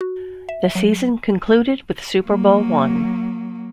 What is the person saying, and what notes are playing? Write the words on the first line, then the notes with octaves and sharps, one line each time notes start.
The season concluded with Super Bowl One.
F#4
E5
F#3
F#3 A#3